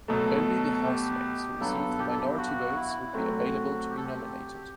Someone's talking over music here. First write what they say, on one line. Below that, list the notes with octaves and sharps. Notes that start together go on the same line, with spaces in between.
Only the housemates who received the minority votes would be available to be nominated.
B2 F#3 A3 A4
G4
G2 F#3 B3 A4
G4
A4
G4
F#4
E4
F#3 A3 C4 F#4
G4
A4
G4